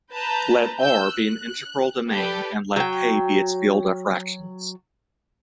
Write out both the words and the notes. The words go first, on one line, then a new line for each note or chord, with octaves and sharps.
Let "R" be an integral domain, and let "K" be its field of fractions.
B4 A5 A#5 G6
E6 G6
F#6
G4 A4 B4 D5
F#3 G5